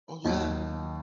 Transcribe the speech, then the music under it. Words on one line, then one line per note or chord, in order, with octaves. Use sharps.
Oh yeah.
D#2 D#3 F#3 D#5